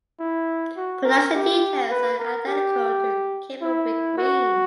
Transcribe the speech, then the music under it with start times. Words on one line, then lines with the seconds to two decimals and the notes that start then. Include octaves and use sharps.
Production details are identical to "Camberwick Green".
0.20 E4
0.77 F#4
1.05 A#4
1.34 G4
1.91 B4
2.19 A#4
2.47 G4
3.62 E4
4.18 F#4